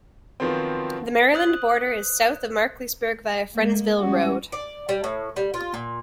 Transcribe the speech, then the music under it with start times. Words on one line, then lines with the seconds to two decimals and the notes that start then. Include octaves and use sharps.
The Maryland border is south of Markleysburg via Friendsville Road.
0.40 D#3 F3 F#3 B3 C4
1.34 C5 D#6 F#6
3.55 G#3 A#3
3.98 G3 C#4 F#4
4.52 D5
4.89 G3
5.04 A2
5.36 G3
5.54 F4
5.74 A#2